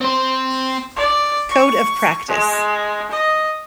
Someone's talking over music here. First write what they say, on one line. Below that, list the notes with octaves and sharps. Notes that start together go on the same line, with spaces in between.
Code of practice.
C4 C5
D5
C#6
G#3
D#5